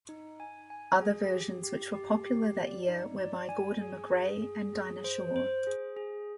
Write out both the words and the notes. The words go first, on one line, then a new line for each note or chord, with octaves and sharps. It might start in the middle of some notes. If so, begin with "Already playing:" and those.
Other versions which were popular that year were by Gordon MacRae and Dinah Shore.
D#4
G#5
G#5
G#4
G4
G4
G4
G4
D5
D#4
D5
G#5
G#4
G#4
G#4
G#4
C5
C5
G#4
G#4